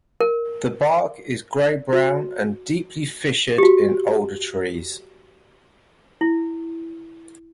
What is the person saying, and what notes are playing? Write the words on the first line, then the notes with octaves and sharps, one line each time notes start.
The bark is grey-brown, and deeply fissured in older trees.
A#4
F#4
G4
F#4
E4